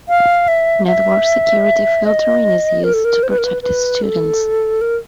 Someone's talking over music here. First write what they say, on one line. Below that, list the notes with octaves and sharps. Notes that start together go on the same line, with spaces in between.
Network security filtering is used to protect students.
F5
E5
E5
D#5
A#4
A4
A#4
C5
B4
A#4
B4
B4
A4
A#4